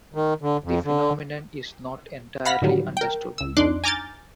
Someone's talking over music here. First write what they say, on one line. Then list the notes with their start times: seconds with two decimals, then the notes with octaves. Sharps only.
The phenomenon is not entirely understood.
0.15 D#3
0.42 D3
0.64 F2
0.85 D3
2.45 F5 F#5 B5 F6 A#6 B6
2.62 A2 D3 D#3 F#3 G3
2.97 A#4 G5
3.38 C#2 E6
3.57 F2 D4 D#4 C6 D6 F#6
3.84 G#5 A#5 D6 F6 G6 A6